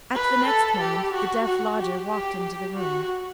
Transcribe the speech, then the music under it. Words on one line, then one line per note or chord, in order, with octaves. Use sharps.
At the next moment, the deaf Lodger walked into the room.
B4
A4
G4
F#4
F#4
G4
G4
G4
F#4